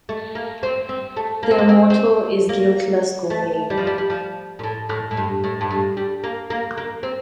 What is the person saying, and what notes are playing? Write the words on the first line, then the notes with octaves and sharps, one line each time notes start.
Their motto is Guiltless Gourmet.
A3
A#3
C4
C4
A3
A#3
C4
A#3
C4
C4
A#3
A3
G3
F3
G3
G3
F3
A#2
A2
A2
A2
G2
A2
G2
A2
G3
A#3
A#3
A#3
C4